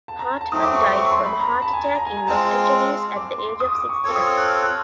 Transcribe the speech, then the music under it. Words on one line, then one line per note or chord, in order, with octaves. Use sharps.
Hartman died from a heart attack in Los Angeles at the age of sixty-nine.
A5
A#5
A5
F#3 A3 C4 D#6
D6
C#6
C#6
C#6
C6
B5
A#5
B5
A5
G#5
A#5
A#5
G#5
A#5
G#3 C4 F4 A5
D6
C6
D6
D#6
D6
C#6
C4 F4 A4 C#5 C#6
D#6
F6
F#6
F6
F#6